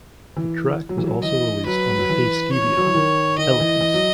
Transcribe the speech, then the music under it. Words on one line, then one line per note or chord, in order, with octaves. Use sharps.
The track also was released on the Hey Stevie album, "Eloquence".
E3
F#3
E3
F#3
E3 D#5
F#3 B4
F#3
E3
C#5
F#3
E3
D#3
D#3 D#5
E3
E3
F#3